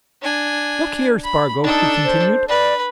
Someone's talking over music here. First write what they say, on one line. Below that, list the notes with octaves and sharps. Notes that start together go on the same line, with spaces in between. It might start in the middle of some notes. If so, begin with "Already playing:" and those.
"Look here, Spargo," he continued.
D4 G#5
B5
D4 D#4 A4
C5
B4 D5